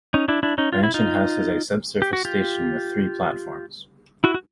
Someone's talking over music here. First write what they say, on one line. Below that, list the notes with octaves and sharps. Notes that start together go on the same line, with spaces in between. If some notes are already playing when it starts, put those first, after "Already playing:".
Mansion House is a sub-surface station with three platforms.
C#4 D#4
D4 E4
D4 E4
C#4 D#4
F4
E4
D#4 F4
G4
F#4
F4 G4
E4 F#4
F#4